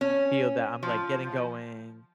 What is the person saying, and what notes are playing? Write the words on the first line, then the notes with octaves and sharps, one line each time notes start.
feel that I'm, like, getting going,
C#4
F3